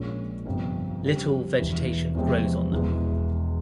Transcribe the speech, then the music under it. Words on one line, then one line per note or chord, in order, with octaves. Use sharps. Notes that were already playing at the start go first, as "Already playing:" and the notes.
Little vegetation grows on them.
Already playing: A#1 A#2 G#3 C#4
G1 F2 C3 F3 C4
F2 C#3 G3 C4
E1 E2 E3
E2 C3 F3 G#3 C4
E1 E2 E3 G#3